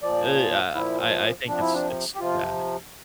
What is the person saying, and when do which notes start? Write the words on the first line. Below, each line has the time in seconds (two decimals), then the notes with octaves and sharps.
Eh, uh, I I think it's it's bad.
0.03 A#2 F3 D5
0.75 A#2 F3 E4
1.47 C3 F3 D4
1.60 E4
1.74 D4
2.15 G4
2.19 C3 F3 F4